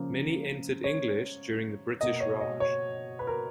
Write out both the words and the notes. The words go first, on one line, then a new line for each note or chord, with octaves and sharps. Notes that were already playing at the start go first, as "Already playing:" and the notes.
Many entered English during the British Raj.
Already playing: C#3 F3 A#3
C#5
B2 A#3 D#5
C#5
D#5
C#5
B4
A#4